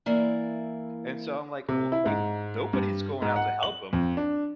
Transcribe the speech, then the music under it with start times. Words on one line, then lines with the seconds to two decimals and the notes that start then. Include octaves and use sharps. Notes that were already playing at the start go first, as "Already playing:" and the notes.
and so I'm like, "Okay, nobody's going out to help ‘em.
0.06 E3 A#3 E4 D5
1.69 C3
1.92 E4
2.06 G#2
2.73 G2
3.22 G#2
3.36 F#5
3.63 F#7
3.93 F2
4.17 D4